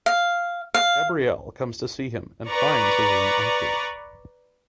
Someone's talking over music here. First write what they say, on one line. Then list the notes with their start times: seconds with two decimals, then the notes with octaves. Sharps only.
Gabrielle comes to see him and finds his room empty.
0.06 F5
0.74 F5
2.47 B4 D5 A#5 C#6